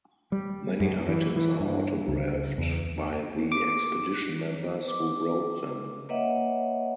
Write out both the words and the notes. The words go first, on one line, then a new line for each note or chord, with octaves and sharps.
Many items are autographed by the expedition members who wrote them.
G3
F#2
E3
E3
G2
C#2
E2
D6
B4 D6
A#3 B4 C#5 D#5 E5 F#5